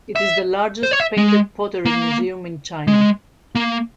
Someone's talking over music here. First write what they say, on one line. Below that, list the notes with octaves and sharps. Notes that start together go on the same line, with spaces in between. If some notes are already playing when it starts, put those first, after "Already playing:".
It is the largest painted pottery museum in China.
E5
C5
C#5
E5
G#3
A#3
G#3
A#3